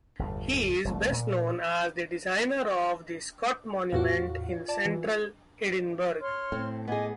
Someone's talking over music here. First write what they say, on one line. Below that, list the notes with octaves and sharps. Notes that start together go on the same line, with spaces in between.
He is best known as the designer of the Scott Monument in central Edinburgh.
G1 E2 A2
F1 C2 A3
A#2
E2 A2 F4 F#4 F5
D5 A5
E3
C#5 C6 F6
A2 C4
B3 G#4 D#5 G#5 D6